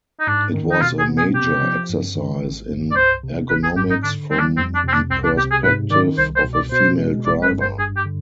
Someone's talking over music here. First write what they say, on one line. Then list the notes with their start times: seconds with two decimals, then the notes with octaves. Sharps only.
It was a major exercise in ergonomics from the perspective of a female driver.
0.20 D#4
0.27 G#2 D4
0.54 D#3
0.71 D#4
0.81 B2 F4
0.99 G#4
1.09 B3
1.18 G#4
1.35 C3 G4
1.62 F3
1.89 G2
2.15 D#3
2.42 G#1
2.70 G2
2.91 D5
2.96 C2 C5
3.23 C3
3.50 G#1 B4
3.63 G#4
3.76 G#2 G4
3.90 D#4
4.03 D3 D4
4.31 G3 C4
4.39 D4
4.57 F2 C4
4.75 D4
4.84 C3 C4
4.93 D4
5.10 C2 C4
5.24 D4
5.37 C3 G4
5.51 G#4
5.64 G#2 B4
5.91 D#3 D5
6.18 C2 C5
6.36 C5
6.44 B2
6.54 D5
6.72 B2 C5
6.99 G#3
7.25 G1 D5
7.43 B4
7.52 G2
7.61 C5
7.78 G2 G#4
7.97 G4
8.05 D3